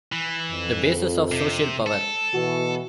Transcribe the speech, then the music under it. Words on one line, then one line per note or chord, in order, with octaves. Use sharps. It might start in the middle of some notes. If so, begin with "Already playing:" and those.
The bases of social power.
E3
F2
C3
A4
B2 E3 F#4